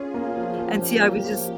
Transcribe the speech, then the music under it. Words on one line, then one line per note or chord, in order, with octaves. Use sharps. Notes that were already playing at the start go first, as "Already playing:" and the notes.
and see, I was just
Already playing: C#4 F4 G#4
A#3
F3
F3 G4
C#4
A#3
F3